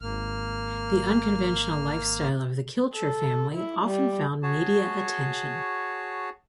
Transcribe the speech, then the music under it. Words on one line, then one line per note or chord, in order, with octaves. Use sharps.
The unconventional lifestyle of the Kilcher family often found media attention.
G#1 A#3 F6
A4
E4
G3
F#4 G#4 C#5 A5